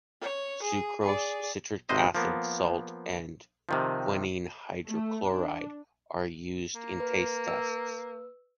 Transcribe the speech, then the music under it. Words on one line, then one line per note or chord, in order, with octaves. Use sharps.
Sucrose, citric acid, salt and quinine hydrochloride are used in taste tests.
C#5
G#4
G#4 D5
G#1 C3 B4 C5 D#5
F3 A#3 B3
C3 D#3 F3
A3
D4
A#3
B4
B4 E6